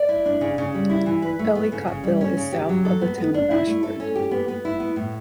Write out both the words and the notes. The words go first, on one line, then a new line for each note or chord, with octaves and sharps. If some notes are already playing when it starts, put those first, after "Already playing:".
Ellicottville is south of the town of Ashford.
Already playing: D5
E4
D4
C#3
C#3
G3
E4
E3
B4
A3
B3
C#3
C#3
G3
C#4
C#3
G4
F#3
A4
B3
B3
D4
E4
A3
A4
C#4
G4
B3
B3
E4
B3
A2